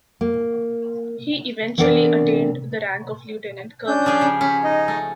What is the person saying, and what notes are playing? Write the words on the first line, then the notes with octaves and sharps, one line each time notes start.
He eventually attained the rank of lieutenant-colonel.
A#3
E3 B3 C4 D4 A#4 D5
C#4 D4 G6
F3 G4 G#4
C#3
C#4 B5
D#4 D#5
A3